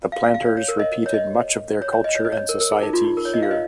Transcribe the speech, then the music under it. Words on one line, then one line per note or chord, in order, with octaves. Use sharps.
The planters repeated much of their culture and society here.
F5
F5
F5
C#5
C#5
A#4
D#5
C#5
D#5
C#5
C#5
D#5
C#5
D#5
C#5
A#4
A#4
G#4
D#4
F4
D#4
A#4
C#5
D#5
F5
D#5